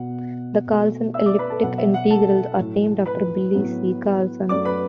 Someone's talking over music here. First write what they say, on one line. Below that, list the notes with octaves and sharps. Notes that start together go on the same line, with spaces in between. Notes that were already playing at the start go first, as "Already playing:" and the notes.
The Carlson elliptic integrals are named after Bille C. Carlson.
Already playing: B2 B3 F#5
B2 A3
E5 E6
D5 D6
B4 B5
A4 A5
B2 F#3 B3 F#5
E5
F#5
A4 A5
A2 F#3 A3
B4 B5
A2 F#3 B3
F#2 F#3 A3 D5 D6
B4 B5